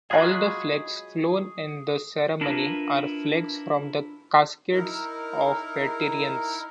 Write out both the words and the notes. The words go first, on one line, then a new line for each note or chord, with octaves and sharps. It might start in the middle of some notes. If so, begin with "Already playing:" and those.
All the flags flown in the ceremony are flags from the caskets of veterans.
F#3 G#3 F4 G#4 B5 C#6
D4 E4 F4 A#4 B4
D#4 E4 A#4